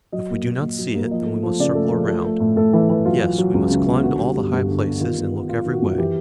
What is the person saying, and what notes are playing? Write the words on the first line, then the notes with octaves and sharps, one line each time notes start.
If we do not see it, then we must circle around. Yes, we must climb to all the high places, and look every way.
F#3 D#5
A#3
A#2
A#3
F#3
A#3
F3 D#5
A3
F3
C#3 D5
A3
F3
A3
A3
A2
A2 A4
E3
E3
F#3 F4
F#3
F#3
C#2
C#3
B3
D3 F#4
G3
G2
G2
D3
B3
D#3 F4
B3
B3
B3 F4
D#3
F#4
F#2
E3 G4